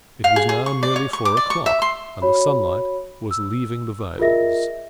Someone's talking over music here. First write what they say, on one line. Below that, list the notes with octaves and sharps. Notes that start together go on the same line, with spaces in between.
It was now nearly four o'clock, and the sunlight was leaving the vales.
F5
G#4
G#4
C#6
D5
C#5
C#6
D6
D5
C#6
E5
C6
F#4 C#5 B5
E6
F4 G#4 A#4 D#5 E5 A#6